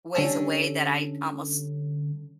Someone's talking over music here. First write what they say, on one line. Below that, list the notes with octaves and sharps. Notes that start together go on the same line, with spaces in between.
ways away that I almost
D3 G3 C#4 A4